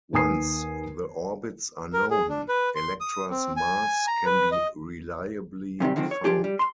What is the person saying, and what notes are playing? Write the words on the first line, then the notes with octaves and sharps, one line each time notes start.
Once the orbits are known, Elektra's mass can be reliably found.
D#2 B4 G#5 D#6 C7
A#4
G#4
D4
B4
C6
D#6
C4
G#5
A#5
B4
D#5
F#2 C3 D#3 G3
D3 D#3 F3 G#3 C4
C#5
F3 D4 G4 G#4
G3
C6